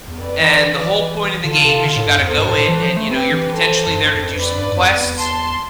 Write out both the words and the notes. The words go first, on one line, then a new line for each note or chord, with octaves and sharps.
And the whole point of the game is you gotta go in and, you know, you're, potentially, there to do some quests,
E2
F2 B4 D5
E3
D3 F4 A4
C3
D3
A2
G2
F2
E2 A4 C5
G2
A2
A2
E3
F3
A3
C4 G4 B4
E3
A4 C5
F2
G2
F2
F2 B4 D5
G2
G2
F2
E2
A5 C6